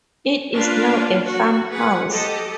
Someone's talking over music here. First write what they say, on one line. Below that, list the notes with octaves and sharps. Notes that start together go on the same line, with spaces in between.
It is now a farmhouse.
A#3 D4 F4 B4 F5
F#4
G#4 B4 F#5
G4 A4 D#5